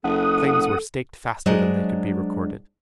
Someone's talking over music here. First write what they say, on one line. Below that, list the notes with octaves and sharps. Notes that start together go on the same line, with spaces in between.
Claims were staked faster than they could be recorded.
F#1 A4 F#5 D#6
F#3 G#3 D4 C5 D#5